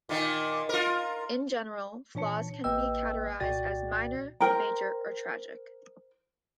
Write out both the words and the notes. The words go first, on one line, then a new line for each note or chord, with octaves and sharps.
In general, flaws can be categorized as "minor", "major", or "tragic".
A#2 D#3
F4 A#4
A#2 E3 D4 C#5 A5 C#7
A1 A#3 B4 D#5 G5 E6
C2 A#2 F#4 D5 G5 A6
A#4 C5 G5 A#5